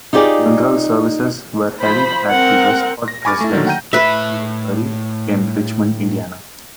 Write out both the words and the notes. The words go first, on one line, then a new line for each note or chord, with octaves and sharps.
Funeral services were held at the Westcott residence; he was buried in Richmond, Indiana.
D#4 F4 G4 G#4 D5
F3 C5 B5
C4 A#4 F#5
A#6
G#5 B5 C#6 D6 F6 A6
A3 E4
D3 D#3 F#3 A3 A#3
F#5 G5 A#5 G6 D#7
A2 B4 E5 B5